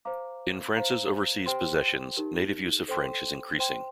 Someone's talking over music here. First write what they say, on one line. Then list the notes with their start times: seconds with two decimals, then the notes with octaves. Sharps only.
In France's overseas possessions, native use of French is increasing.
0.05 C5 F5 A#5 D6
0.76 C5 F5 A#5
1.46 G4 C5 G5 C6
2.17 D#4 G4 A#4
2.88 A4 C5 G5 C6
3.59 C5 G5 C6